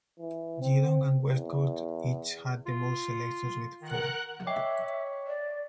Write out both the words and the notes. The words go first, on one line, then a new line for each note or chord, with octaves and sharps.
Geelong and West Coast each had the most selections with four.
E3
C4
E2
F4
D#3 A#4 F#5 F#6
C#5 D#5 E5 G5 D6
D5